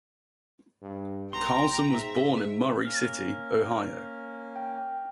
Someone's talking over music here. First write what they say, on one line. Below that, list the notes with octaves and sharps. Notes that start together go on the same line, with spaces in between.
Carlson was born in Murray City, Ohio.
G2
B1 G5 A#5 C6
G#2 E5
A#3 C#4 F6 A#6 F7
G5